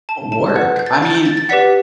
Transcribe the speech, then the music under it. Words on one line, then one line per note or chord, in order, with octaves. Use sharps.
work. I mean,
A5
A5
B4 D5 F#5
G6
A6
G6
A6
G6
A6
A6
G4 B4 D5 F#5 B6